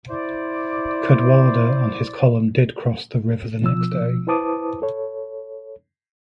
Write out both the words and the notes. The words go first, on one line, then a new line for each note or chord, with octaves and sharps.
Cadwalader and his column did cross the river the next day.
E4 C5 D5
B2 F3 E6
E4 B4 C5 A5 D6 D#6
A4 C#5